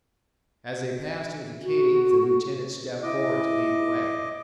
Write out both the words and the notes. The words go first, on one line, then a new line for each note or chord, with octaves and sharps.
As they passed into the cave the lieutenant stepped forward to lead the way.
F#4
E4 D#5 D6